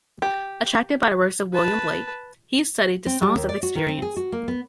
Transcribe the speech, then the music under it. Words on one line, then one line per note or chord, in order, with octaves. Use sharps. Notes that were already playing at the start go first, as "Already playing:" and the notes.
Attracted by the works of William Blake, he studied the "Songs of Experience".
G4
B4 A5
C4
G3
D#2
D5
F#4
D#3
C4
G#4
F#4
A#3
B3